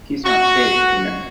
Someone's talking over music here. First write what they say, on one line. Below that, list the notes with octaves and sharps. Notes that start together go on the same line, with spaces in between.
He's not safe, you know.
F#4